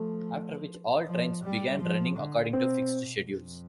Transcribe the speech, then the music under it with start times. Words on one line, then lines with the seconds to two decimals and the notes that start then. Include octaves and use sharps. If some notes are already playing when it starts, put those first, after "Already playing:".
After which, all trains began running according to fixed schedules.
Already playing: F3 A3
1.07 F3
1.44 G3
1.80 F3
2.17 D3
2.53 B2 C4
3.26 F2